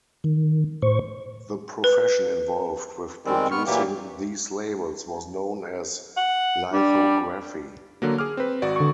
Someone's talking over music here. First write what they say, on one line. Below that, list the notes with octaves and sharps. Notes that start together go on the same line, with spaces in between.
The profession involved with producing these labels was known as lithography.
D#3
A2 C5 C#6
B4
D#3 G3 G#3 C4
B3 C#6 F6
A#2 E3 F#3 A#3 G4
F#5
G3 D4
D3 F#3 A#3
G#4 D6 F6
C4 B4
G#1 F#4 D5
D3 C#6